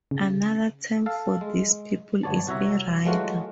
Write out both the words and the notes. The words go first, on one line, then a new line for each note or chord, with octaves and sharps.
Another term for these people is eRider.
C#3
A4 F5
G#3
G1 B3 C#5 D5 A5
C2 F#4 C#5 E5 A#5
E3 F#3 G#3 A3 F4 F#4